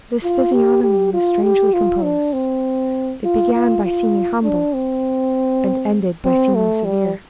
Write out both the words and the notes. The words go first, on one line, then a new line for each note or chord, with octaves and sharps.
This physiognomy was strangely composed; it began by seeming humble, and ended by seeming severe.
F4
G4
G4
F4
G4
F4
D4
C4
F4
F4
F4
D4
C4
C4
A3
G3